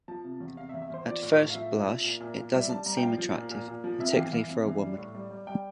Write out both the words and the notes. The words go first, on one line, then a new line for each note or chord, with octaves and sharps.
At first blush, it doesn't seem attractive, particularly for a woman.
F3 A5
C3
E2
C3 F5
E5
E2
E5
E2 C5
F3 D5
A2
A2
F5
F3 E5
F3
F3
A#2
A#2
A#2
G3 E5
G3 A5
G3 A#5
G5
F3 F5
F3
A#2
A#2
A#2
F3
F2 E5
G5
E3 F5
E3 F5
F2
E3
G3
A2
G3
G3
G3 G5